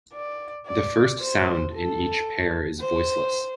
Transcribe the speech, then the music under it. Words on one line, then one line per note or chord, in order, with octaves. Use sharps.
The first sound in each pair is voiceless.
D5
D5
C5
A4
C5